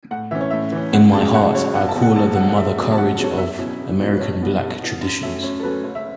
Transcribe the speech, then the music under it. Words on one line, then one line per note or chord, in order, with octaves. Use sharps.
In my heart, I call her the Mother Courage of American Black traditions.
A2 F#5
E3 C#4 E5
C#5
A2 E5
E3 C#4
C#2 F#5
C#3 F#3 A5
C#2 F#5
C#3 F#3 C#5
E1 F#5
A5
E2 B2
F#5
E1 A5
E2 B2 F#5
F#5
E1 E5
E2 C#3 F#3
A5
E1 F#5
E2 C#3 F#3
C#5
E2 E5
B2 F#3 C#4 E4
E2
B2 F#3 C#4 E4
B4
B1 C#5
B2 B3 E4
B1
B2 B3 E4
F#2
F#3 A3 C#4 E5
F#2 C#5
A4
F#3 A3 C#4 B4
F#1 C#5
E5